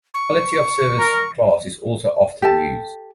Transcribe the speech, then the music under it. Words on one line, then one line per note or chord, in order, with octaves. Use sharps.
Quality of service class is also often used.
C#6
A#4
G4 A4 A5